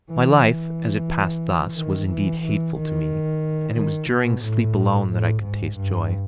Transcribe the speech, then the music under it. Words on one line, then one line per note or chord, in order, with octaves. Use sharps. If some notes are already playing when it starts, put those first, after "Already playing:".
My life, as it passed thus, was indeed hateful to me, and it was during sleep alone that I could taste joy.
E3
E3
D#3
E3
E3
D#3
D#3
B2
A2
A2
G#2
G2